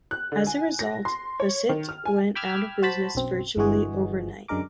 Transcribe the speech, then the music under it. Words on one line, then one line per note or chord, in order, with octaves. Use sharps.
As a result, Facit went out of business virtually overnight.
F#6
D3
G#5
A#6
C6
C#5
D#3
F6
G#5
G5 B5 D6 E6 F6 G#6
F#4 C5 A5 B5
B1 F#2 C4
G1 G2 E3 G#3 F#4 G#4
F#2 D3 G#3 A#4 D6